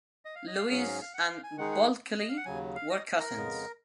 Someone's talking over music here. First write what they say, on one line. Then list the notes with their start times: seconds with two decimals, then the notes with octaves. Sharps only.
Lewis and Bulkeley were cousins.
0.25 D#5
0.35 F5
0.47 D#5
0.57 F5
0.70 G#2 F#3 C#4 G#4
1.02 F5
1.14 F#5
1.28 F5
1.43 G#5
1.57 D#3 G#3 D#4 G#4 F#5
1.72 F#5
2.19 D#5
2.29 F5
2.37 F#5
2.45 D#2 C#3 F#3 G#5
2.76 F5
2.89 D#5
3.19 A#4
3.34 F2 C#3 G#3 B3